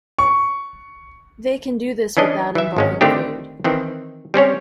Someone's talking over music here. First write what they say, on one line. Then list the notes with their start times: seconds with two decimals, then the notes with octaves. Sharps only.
They can do this without involving food.
0.19 C#6
2.17 E3 C#4 D4 D#5
2.55 E3 E5
2.76 G#1 G#3 C#4
3.01 D3 D#3 A3 C4 D4 G4
3.64 D#3 E3 C4
4.34 G3 C4 C#4 C#5